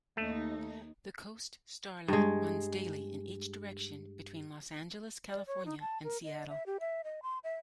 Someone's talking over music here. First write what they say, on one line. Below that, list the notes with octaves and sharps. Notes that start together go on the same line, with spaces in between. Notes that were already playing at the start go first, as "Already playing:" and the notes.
The "Coast Starlight"runs daily in each direction between Los Angeles, California and Seattle.
D#2 A3 D#4
G2 G#3
D5
C#5
D#4
A5
A#4
D#5
E5
G4
E5
D#5
C6
E5